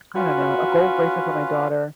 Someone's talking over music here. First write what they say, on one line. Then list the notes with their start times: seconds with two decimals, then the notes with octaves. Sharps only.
I don't know, a gold bracelet for my daughter,
0.16 C#4 F4 F#4 B4